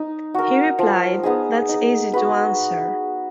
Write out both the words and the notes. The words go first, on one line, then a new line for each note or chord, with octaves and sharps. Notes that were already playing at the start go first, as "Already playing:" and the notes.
He replied, That's easy to answer.
Already playing: D#4
F#4 A#4
F3
B3 D#4 G#4
D#4
F#4 B4